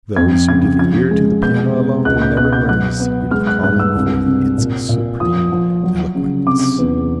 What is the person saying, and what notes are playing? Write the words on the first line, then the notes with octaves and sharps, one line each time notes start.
Those who give ear to the piano alone will never learn the secret of calling forth its supreme eloquence.
F2 G#6
C#3 G#6
F3 G#6
G#3
B2 G6
B3
C#2 F#6
G6
B2 F#6
G6
F#3 F#6
B3
G#3 F6
F#6
G2 F#6
E6
C2
C3
A#2
A#2
F3 D#6
F3
F#3
C#3
C3 D6
E2